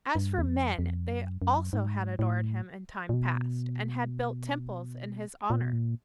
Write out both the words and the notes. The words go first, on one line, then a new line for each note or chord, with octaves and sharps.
As for men, they also had adored him in time past, and had built temples in his honor.
G2
E2
F2
F2
F#2
F#2
G#2
A2
A#2
B2
A#2
B2
A#2